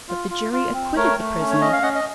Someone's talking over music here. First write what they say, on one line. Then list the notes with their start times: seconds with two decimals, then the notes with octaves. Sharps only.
But the jury acquitted the prisoner.
0.09 F4
0.31 F4
0.53 F4
0.74 C4
0.96 A3 A#4 C#5
1.18 A3
1.40 C#4
1.50 C#5
1.61 C#4 D#5
1.73 F5
1.83 C#4 D#5 F#5
1.95 D#5